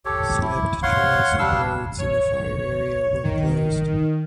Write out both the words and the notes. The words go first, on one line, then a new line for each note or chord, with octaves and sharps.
Select trails and roads in the fire area were closed.
G4 A4 C#5
E4
C#5 F5 F#5 C6
G3 D4 F5 E6
C#5
D#3